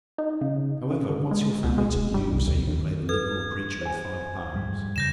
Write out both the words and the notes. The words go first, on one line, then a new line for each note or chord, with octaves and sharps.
However, what's your family to you, so you can play the liberal creature with five pounds?
D#4
C#3
C#3
D3
G#3
C#2
G#3
F1
G3
C2
D#2
D#2
A4 B4 G#6
C5 G#5
F2 G#2 G3
E2 C#3 G6 A#6 E7